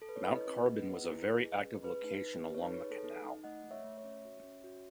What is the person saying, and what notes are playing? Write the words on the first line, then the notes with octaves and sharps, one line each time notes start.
Mount Carbon was a very active location along the Canal.
A4
B4
C#5
E4 B4 D#5
G#4
G#4
G#4
E4
G#4
G#4
C#4
G#4 B4
D#4
D#4
D#4
C#5
D#4 B4
C#5
G#4 B4
A4
D#4
D#4
A3 D#5 F#5
A3
C#5 E5
A3
C#5 E5
C#4
F#4
C#4
F#4